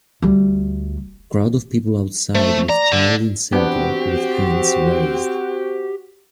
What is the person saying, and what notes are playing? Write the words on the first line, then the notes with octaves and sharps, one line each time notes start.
Crowd of people outside with child in center with hands raised.
D2 G3
A3 C5
D5 A#5
D3
B3 C4 D4 F#4 G4 F#5